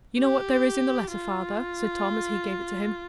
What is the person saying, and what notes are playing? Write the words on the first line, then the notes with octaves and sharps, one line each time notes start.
"You know what there is in the letter, father?" said Tom, as he gave it to him.
G4
F4